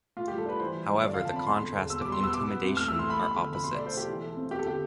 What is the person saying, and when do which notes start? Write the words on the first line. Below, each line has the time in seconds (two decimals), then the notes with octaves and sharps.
However the contrast of intimidation are opposites.
0.17 A2 F4
0.28 G3 G4
0.38 A4
0.45 D4 B4
0.59 E3 C5
0.75 G3
0.89 G2
1.03 D3 D5
1.14 F3 F5
1.25 A5
1.32 C4 B5
1.47 E2 C6
1.61 D3
1.76 E1
1.90 B2 E6
2.01 G3 D6
2.12 C6
2.19 B3 E6
2.33 B2 D6
2.48 B3
2.63 C2
2.77 A2 F6
2.88 E3 E6
2.99 C6
3.06 A3 B5
3.21 E2
3.35 D3
3.50 F3 B5
3.64 B2 C6
3.75 A3 D5
3.86 C5
3.93 B1 G4
4.08 E3
4.22 A3
4.37 C4
4.51 E2 G4
4.59 A4
4.65 D3 G4